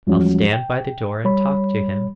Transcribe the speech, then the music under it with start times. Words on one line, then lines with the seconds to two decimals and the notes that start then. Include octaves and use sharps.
'I'll stand by the door and talk to him.'
0.07 E2 F3 G3 G#3 C#4 F#4
0.53 G5
1.24 G3 C#5 B5